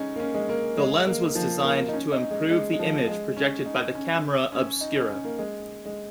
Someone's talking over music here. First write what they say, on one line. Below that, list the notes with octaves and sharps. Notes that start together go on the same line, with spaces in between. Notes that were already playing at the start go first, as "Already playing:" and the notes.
The lens was designed to improve the image projected by the camera obscura.
Already playing: G#3 C#4 D#4
A#3
C#4
G#3
A#3
G#3
A#3
F3
A#3
D#4
C#4
D#4
G#3
G#3
G#3
F3
G#3
C#4
D#4
C#4
C#4
D#4
C#4
C#4
A#3
G#3
G#3